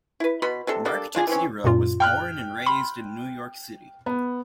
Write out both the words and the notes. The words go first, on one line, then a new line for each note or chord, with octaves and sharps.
Mark Texeira was born and raised in New York City.
E4 B4
B2 B5 C6
C3 D4 A4
G3 A#3 D4 A4
D4 F4 G#4
E3 C4 C#4
F#2 A#2 F4
G5 F6 F#6
B5 C6
B3